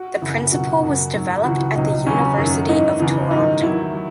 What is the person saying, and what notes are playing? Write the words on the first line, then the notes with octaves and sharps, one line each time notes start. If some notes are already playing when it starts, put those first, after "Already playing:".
The principle was developed at the University of Toronto.
Already playing: F#4
F#2 C#3 E3
C#2 B2 F#3 F#4
F#2 C#3 F#3
G#2 F#3
C#2 C#3 E3 F#4
C#2 B2 F#3 D#4
E2 C#3 F#3 C#4
F#2 D#3 F#3
G#2 E3 D#4
E2 C#3 E3
G#2 D#3 F#3 D#4
E2 D#3 F#3 E4
F#3